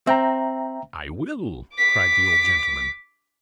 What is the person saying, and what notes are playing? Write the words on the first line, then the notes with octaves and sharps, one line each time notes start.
"I will!" cried the old gentleman.
C4 E5 G5 A#5
D6 B6